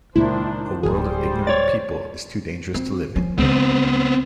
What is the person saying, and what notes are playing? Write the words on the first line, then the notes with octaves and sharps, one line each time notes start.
A world of ignorant people is too dangerous to live in.
C#2 A#2 D#3 D4 E4 C5
D1 B1 E3 G3 G#4 C5
C#5 D5 A6
C4
F3 C#4
C#2 C#3 G#3 B3 C4